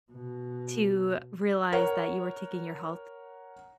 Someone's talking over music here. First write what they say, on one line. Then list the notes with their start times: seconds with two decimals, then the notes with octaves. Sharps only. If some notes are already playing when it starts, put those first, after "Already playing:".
to realize that you were taking your health
0.12 B2
1.72 A#4 C#5 F#5